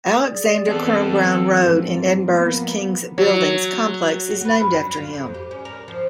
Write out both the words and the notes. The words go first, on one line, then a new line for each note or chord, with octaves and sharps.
Alexander Crum Brown Road in Edinburgh's King's Buildings complex is named after him.
G#4 D5
E3 B3 C4 A4 A5
G#2 F3 G3 C4
F3 A#3 B3
F#3
F#4
B4
F#2
F#3
F4
F2
G4
C#4
A#4
F3